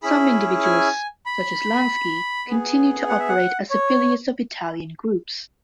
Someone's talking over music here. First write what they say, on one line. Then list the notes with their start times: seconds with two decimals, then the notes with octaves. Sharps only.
Some individuals, such as Lansky, continued to operate as affiliates of Italian groups.
0.03 C#4 E4 G#4 B5
0.64 G#5
1.26 B5
2.48 B3 G#4
3.09 F#5
3.19 E5
3.29 F#5
3.70 C#5